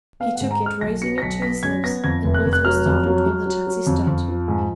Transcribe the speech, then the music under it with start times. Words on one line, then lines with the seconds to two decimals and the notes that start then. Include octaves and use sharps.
He took it, raising it to his lips, and both were startled when the taxi stopped.
0.20 B3 F5
0.35 F#5
0.41 G#2
0.51 A#5
0.60 G#3
0.66 F6
0.81 B1 A#6
1.02 F#3 C#7
1.18 A#6
1.22 B1 B6
1.42 B3 B6
1.63 F#2 G#6
1.84 B3 A#6
2.04 F2 G#6
2.24 F1
2.34 F#6
2.45 F1
2.53 F#6
2.65 F#3 F6
2.86 F2
3.06 F#3
3.26 F#3
3.46 F#3
3.67 F#3
3.87 F2
4.07 F2
4.28 F3
4.48 G#2